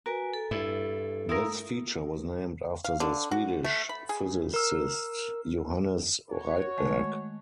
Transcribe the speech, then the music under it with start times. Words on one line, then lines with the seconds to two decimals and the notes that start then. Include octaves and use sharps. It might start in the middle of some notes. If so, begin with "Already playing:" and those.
This feature was named after the Swedish physicist Johannes Rydberg.
0.06 F#4 A#4 B4 G#5
0.34 A4
0.51 G2 E4
1.29 E4 F4 A#4 D#6
2.84 F5
3.00 D3
3.31 F#4
3.64 A3
3.89 B5
4.09 G#4
4.54 A#4 E6
6.31 F#4 C#5
6.77 D#3 G#3 A3